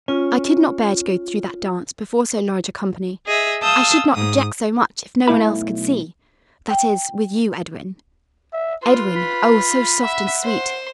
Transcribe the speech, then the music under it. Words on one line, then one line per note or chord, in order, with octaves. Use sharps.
"I could not bear to go through that dance before so large a company. I should not object so much if no one else could see--that is, with you--Edwin." "Edwin!" Oh! so soft and sweet!
C#4 F4
G#4 D#5 E5
F5 A5 D#6 E6 G6
G#2 D#6
B1 A3 D4 E4 F5 B5
G5
E5
F4 B4 C6
B5
E5 F#5
C5 C6